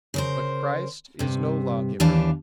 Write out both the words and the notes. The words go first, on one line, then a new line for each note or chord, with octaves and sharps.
But Christ is no law giver.
C#3 A#4 C5
G2 C3
D#2 E3 D4 G4 F5 A5